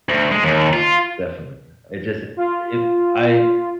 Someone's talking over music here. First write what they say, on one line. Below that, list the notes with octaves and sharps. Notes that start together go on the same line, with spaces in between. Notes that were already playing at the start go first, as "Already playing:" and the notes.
Definitely. It just, it if I
D2
G#3
D#2
F4
F4